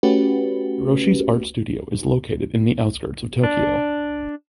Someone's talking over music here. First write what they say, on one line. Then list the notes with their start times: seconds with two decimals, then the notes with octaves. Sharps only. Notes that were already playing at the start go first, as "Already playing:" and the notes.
Haroshi’s art studio in located in the outskirts of Tokyo.
0.03 A3 C#4 F#4 G4 B4
3.44 D4